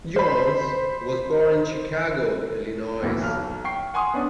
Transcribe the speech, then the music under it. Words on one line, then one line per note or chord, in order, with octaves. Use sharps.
Jones was born in Chicago, Illinois.
C5 B5
D2 A#2 E3
B1 F6
G5 C#6 C7
F#5 G#5 C6 C#6 D#6
B3 C#4 D4